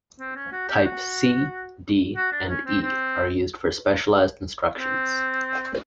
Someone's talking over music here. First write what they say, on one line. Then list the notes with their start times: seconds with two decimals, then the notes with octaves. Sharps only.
Types C, D and E are used for specialized instructions.
0.20 C4
0.36 C#4
0.52 F#4
0.68 G4
0.85 F#4
2.16 F#4
2.32 D4
2.49 C#4
2.66 C4
2.82 C4
4.79 C4